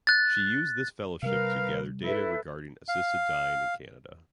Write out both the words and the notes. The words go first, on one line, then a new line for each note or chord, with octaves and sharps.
She used this fellowship to gather data regarding assisted dying in Canada.
F#6 A6
C3 G3 A#4 B4 F5
E4 A4 B4 E5
F5